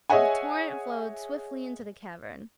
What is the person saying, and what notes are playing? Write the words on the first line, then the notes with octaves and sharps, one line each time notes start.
The torrent flowed swiftly into the cavern.
G#4 C#5 D#5 E5 F#5 G#5